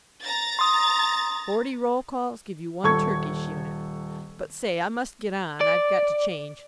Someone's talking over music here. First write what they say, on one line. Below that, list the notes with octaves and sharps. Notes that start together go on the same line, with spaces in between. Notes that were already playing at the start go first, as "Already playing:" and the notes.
Forty roll-calls give you one Turkish unit--but, say, I must get on, I've got to change.
A#5 A6
C6 D#6
D#1 A4 C#6 G#6
D5